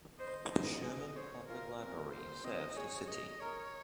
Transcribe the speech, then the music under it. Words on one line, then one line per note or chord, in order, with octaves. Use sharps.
The Sherman Public Library serves the city.
C5 D#5
C5 D#5
G#4
C5 C#5
F4 A#4
C4 A#4
A#3 C5
C4 D#5
G#4 C#5
D#5
A#4 C#5